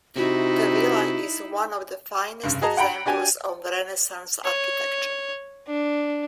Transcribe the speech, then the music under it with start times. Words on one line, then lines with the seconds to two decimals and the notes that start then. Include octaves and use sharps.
The villa is one of the finest examples of Renaissance architecture.
0.16 C3 D#4 E4 F#4
2.44 F1 G2 C#3
2.61 F#4 G#4 D#5 A5 A#5
2.77 F#5 G5 A#5 B5 D7
3.06 D4 F#4 G4 G#5
4.44 C#5
5.67 D4